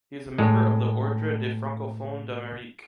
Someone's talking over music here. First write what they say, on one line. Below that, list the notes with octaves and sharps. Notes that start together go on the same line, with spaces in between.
He is a member of the Ordre des francophones d’Amérique.
A2 G#3